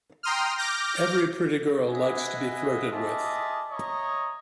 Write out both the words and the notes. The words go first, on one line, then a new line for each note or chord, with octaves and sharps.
Every pretty girl likes to be flirted with.
G5 A#5 C6 D#6 F6
D6 F6 G6 A#6
G#4 B4 D#5 E5 F#5 G#5
F4 G#4 D#5 E5 A5 D6
C#5 D#5 E5 A#5 C#6 D#6